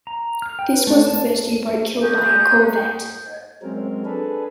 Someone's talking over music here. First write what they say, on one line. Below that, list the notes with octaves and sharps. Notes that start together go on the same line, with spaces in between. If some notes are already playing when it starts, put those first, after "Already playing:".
This was the first U-boat kill by a corvette.
A#5
F6
G5
B4
A3
A5
C#4 F#4 G#4 G6
F#3 G#3 C4 C#4 A#4
D4 G#4 A4 B4